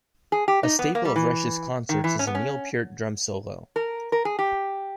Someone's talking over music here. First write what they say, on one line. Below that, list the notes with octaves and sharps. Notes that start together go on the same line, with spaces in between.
A staple of Rush's concerts is a Neil Peart drum solo.
G#4
G4
D#4
B3
A#3
G3
E3
D#3
E3
C#4
B3
C#4
A#4
A#4
G#4
G4